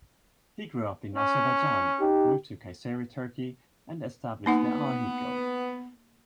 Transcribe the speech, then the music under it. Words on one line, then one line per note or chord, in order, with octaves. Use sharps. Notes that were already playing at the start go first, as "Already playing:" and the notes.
He grew up in Azerbaijan, moved to Kayseri, Turkey and established the "Ahi" guild.
C#4
D#4 G4
A#3 B3 D#4 F#5